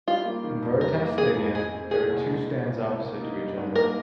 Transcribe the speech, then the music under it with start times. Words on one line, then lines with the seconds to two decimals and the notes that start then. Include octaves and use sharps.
In Veritas Stadion there are two stands opposite to each other.
0.07 G3 F4
0.25 A#3
0.44 D#3
0.62 F2
0.80 G3 A#4
1.00 A#3
1.18 D#3 G#4
1.36 F2
1.54 G#3 G#4
1.73 C4
1.91 A#2 G#4
2.10 C2
2.28 G#3
2.47 C4
2.66 A#2
2.83 C2
3.02 A#3
3.21 D#4
3.39 G3
3.57 G#2
3.75 A#3 A#4